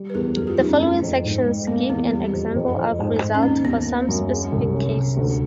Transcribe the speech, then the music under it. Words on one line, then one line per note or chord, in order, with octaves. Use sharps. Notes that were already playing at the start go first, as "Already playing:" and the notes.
The following sections give an example of results for some specific cases.
Already playing: G3
B4
E2 G#4 A#4
F#2 G4 A4
F4 G4
F#2 D#4 F4
C#4
A3 C4
F2
G#2
G#2
A#3 B3
E2 C4
G3 C4
F2
F2
F2
G#2
G#2
C#4
D#2 C4
D#2 B3
A#3
F#2
G#3
C2
C#4
C3
D2